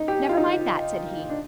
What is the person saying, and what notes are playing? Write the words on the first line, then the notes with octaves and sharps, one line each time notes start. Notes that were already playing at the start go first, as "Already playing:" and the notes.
"Never mind that," said he.
Already playing: D#4
G4
F4
D#4
F4
D4